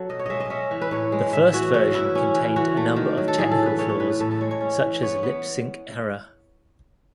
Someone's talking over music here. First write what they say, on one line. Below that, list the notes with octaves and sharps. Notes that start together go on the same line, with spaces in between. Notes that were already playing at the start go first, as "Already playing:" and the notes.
The first version contained a number of technical flaws such as lip-sync error.
Already playing: F#3 A4
B2 D#5
C#5
G#3 D#5 E5
D#5
C#4 E5
E3
B4
A2 C#5
G#3
A2 E5
E3 F#4
C#3 F#4
E3 E4
C#4
E3
E3 F#4
A3
D#3
F#3
A4
A2 G#4
A4
E3
B4
C#3 C#5
C#5
E3 B4
A2 A4
A4
G#3 C#5
C#5
C#4
E3
B3 C#5
B3